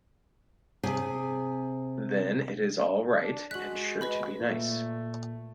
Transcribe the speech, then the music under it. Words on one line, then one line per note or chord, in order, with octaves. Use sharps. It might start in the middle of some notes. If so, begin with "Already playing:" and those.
Then it is all right, and sure to be nice.
C3 G#4 G#5
D4
G#3 F#4 F#6 B6 F#7
B4 D#5 B5
A#2 A3